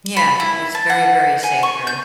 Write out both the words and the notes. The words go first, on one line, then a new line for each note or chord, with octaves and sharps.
Yeah, it's very, very sacred,
B5
E4
A5
F#5
G#5
C#6
G6